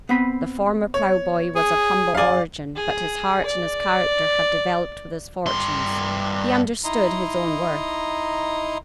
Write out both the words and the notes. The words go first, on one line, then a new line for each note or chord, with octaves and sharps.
The former ploughboy was of humble origin, but his heart and his character had developed with his fortunes; he understood his own worth.
B3 C4 B5
C#5
G#4
F#2 G#4 D5 F5
G#4
D5
G2 C6
D#4 E4 D#5 A#5 C6